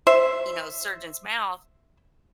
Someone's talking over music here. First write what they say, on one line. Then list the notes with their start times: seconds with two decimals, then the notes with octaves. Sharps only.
you know, surgeon's mouth
0.07 C5 E5